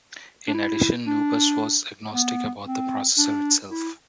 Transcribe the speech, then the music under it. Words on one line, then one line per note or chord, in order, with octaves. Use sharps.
In addition, NuBus was agnostic about the processor itself.
D4
E4
D4
B3
C4
D4
E4